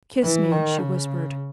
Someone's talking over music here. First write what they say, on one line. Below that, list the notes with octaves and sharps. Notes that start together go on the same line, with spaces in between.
"Kiss me," she whispered.
E3
D#3
C#3